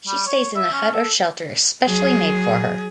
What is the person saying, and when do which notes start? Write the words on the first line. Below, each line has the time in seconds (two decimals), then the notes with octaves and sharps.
She stays in a hut or shelter specially made for her.
0.07 G3
0.26 C#5
0.56 E5
0.73 C#4
0.93 A4
1.87 F#3 G#4